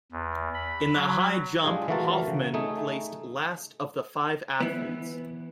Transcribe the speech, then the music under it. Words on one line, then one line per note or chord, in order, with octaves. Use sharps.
In the high jump Hofmann placed last of the five athletes.
E2
B5
F#3
G#3 D4 F4 G4 G#4
E3 A3 F4 F#4 A#4 A5
C#3
A3 D#4 G#4
E3 B3